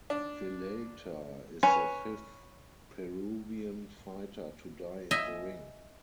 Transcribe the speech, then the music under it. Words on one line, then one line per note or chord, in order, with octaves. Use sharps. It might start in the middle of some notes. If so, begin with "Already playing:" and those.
Villalta is the fifth Peruvian fighter to die in the ring.
D4
C#4 B4 C#5
D#5 E5 G#5